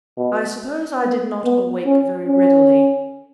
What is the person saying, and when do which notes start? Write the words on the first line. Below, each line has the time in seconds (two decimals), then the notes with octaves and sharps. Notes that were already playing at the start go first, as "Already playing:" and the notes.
I suppose I did not awake very readily.
0.17 B2
1.02 B3
1.44 B3
1.86 C#4
2.28 C#4